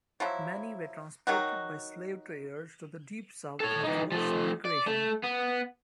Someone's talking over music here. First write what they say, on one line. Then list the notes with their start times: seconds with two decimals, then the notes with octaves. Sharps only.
Many were transported by slave traders to the Deep South in a forced migration.
0.20 F3 F#3 E4
1.27 D#3 F#3 D#4 F#4
3.60 A4 C#5
3.84 E3 D#4
4.12 F3 A3
4.65 D5
4.87 A3
5.23 B3